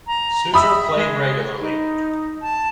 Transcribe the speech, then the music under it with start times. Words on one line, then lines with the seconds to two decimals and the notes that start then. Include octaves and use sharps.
Suter played regularly.
0.07 A#5
0.54 E5 B5 D#6 E6
0.95 G#3
1.60 D#4
2.42 A5